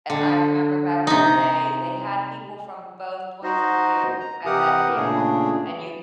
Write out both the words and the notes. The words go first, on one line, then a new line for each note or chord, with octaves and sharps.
and I remember back in the day, they had people from both points of view at that table, and you
D3
C3 D#4
D#4 F#4 C5 D#5
A#5
C3 E3 G4 A#4 F#5 D#6
A#2 C#3 A3 D4 G#4
E3